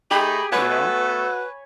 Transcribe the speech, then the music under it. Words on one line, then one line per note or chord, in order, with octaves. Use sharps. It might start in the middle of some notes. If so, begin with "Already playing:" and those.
you know?
A3 D#4 G4 G#4 B5
A3 B3 F#4 A4 B4 C#5 G#5 B5